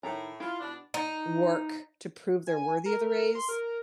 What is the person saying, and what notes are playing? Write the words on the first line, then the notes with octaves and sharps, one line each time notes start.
work to prove they're worthy of the raise,
A2 D#3 E4 A#5
E4 F4
B2 D4
D#4
G#5
A#4
C6
A#4